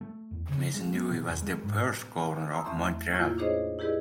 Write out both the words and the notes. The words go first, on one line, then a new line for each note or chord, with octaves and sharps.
Maisonneuve was the first governor of Montreal.
A3
E2
C#3
G#3
B3
B2
E2
G#3
G#2
A5 A#5 C6 D#6 E6
E2 A3 E5 C6 C#6
A2 A#3 E4 F4
D4 D#4 G#4 C5 C#5 D#5
E4 G4 G#4 B4 D5 D#5